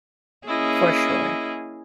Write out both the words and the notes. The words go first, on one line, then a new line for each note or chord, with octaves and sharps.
For sure.
A#3 C#4 E4 G#4 D#5